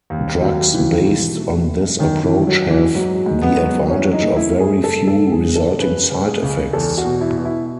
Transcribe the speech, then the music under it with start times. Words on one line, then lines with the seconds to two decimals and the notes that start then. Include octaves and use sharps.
Drugs based on this approach have the advantage of very few resulting side effects.
0.10 D#2
0.41 D#2 F#3
0.73 E3 D#4
1.05 B2
1.36 A3
1.68 B2
1.99 F#2 D#3
2.24 E3
2.31 D#3
2.47 F#3
2.62 F#2
2.70 E3
2.95 G#2 F#3
3.26 G#2
3.42 B3
3.57 F#3
3.90 E3 C#4
4.13 D#4
4.21 A3
4.36 E4
4.53 A3
4.60 G#4
4.84 F#1 A4
5.07 A4
5.16 F#1
5.32 G#4
5.48 F#1
5.56 A4
5.79 C#3 B4
6.11 C#3
6.26 G#4
6.42 C#2
6.73 E2 A4
6.98 F#4
7.05 B2
7.21 E4
7.38 B2
7.45 E4